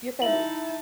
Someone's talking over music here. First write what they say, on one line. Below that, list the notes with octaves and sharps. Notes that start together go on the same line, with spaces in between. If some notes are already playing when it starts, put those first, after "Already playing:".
your family.
D#4 E4 E5 A5 F#7